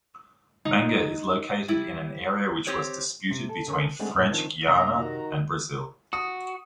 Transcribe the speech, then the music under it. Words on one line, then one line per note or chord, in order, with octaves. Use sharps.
Manga is located in an area which was disputed between French Guiana and Brazil.
D#4
G3 E4
C4 G4 C5 C#5
C3
A4
D3 C#4 A#4 A5 A#5
G#3 A3 C4 D4 G#4 F#5
F#2 A#2
D#3 F3 C4 D4 D#4
F#2 C3 A#3 D4 A#5
D#3 F#4
F#4 D#6